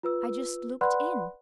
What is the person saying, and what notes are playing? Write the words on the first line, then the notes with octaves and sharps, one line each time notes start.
"I just looked in."
F4 B4 E6
B4 D5 F#5 B5 C6 F#6